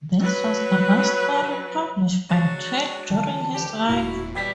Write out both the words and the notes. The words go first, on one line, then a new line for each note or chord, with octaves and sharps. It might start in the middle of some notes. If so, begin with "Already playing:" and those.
This was the last story published by Twain during his life.
F#3 B4
F#3 G#3 D4 F#4
D3 E3 F3 A5
D2 G4
E1 A#2 A#3 E4 F#4
B2 E3 F#3 G3 G4 E5 G5